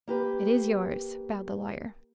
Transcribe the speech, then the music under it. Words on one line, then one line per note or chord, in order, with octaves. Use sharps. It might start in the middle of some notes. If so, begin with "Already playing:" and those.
"It is yours," bowed the lawyer.
A#3 G4 B4